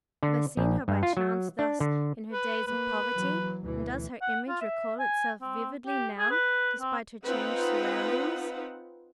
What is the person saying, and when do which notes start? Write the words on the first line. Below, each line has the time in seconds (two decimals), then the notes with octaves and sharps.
Have I seen her by chance thus in her days of poverty, and does her image recall itself vividly now despite her changed surroundings?
0.23 D3
0.57 A#1
0.88 G2
1.03 F4
1.17 F#3
1.59 D4
1.80 D3
2.32 B4
2.67 A#3 B4
3.14 E3 F#3
3.64 D2 B2 E3
4.21 F#5
4.48 F4
4.61 E5
4.99 G#5
5.42 C4
5.86 G4
6.19 G#4
6.31 B4
6.80 C4
7.25 C4 D#4 F4 B4 F#5